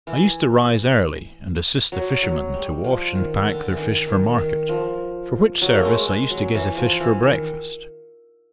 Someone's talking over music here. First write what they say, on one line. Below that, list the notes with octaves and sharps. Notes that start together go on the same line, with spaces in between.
I used to rise early and assist the fishermen to wash and pack their fish for market, for which service I used to get a fish for breakfast.
E3
F#3
F#3
G3
F3
D#3
D3
E3
D#3
D#3
D#3
F3
F#3
A#3
A3
G#3
G#3
F#3
E3
F3
E3
D#3